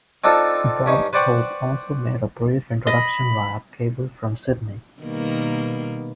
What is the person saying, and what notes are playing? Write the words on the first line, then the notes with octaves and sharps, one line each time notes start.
Bob Hope also made a brief introduction via cable from Sydney.
C4 D4 D#4 F4 A4
G2 C#4 D#4
B4 C5 D5 F#5 G5 C#6
D#5 B5
B2 D#3 G3 A#3 B3